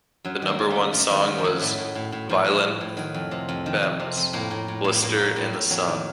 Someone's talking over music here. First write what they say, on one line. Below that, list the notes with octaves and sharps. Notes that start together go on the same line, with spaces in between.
The number one song was Violent Femmes' "Blister in the Sun".
F#2 F#3
D#3
A#3
D#3
A3
F#2
F#2 A3
D#3 F#3
D#3
F3
F#2 F#3
A2 A3
A2
A2
A2
A2 F3
A2
A2
A2
D#3 F#3
F2
C3
F2
D#3
F2
C3
F2
A2 A#3
A2
A2
A2
A2 A#3
A2
A2
A2
F2 F#3
D#3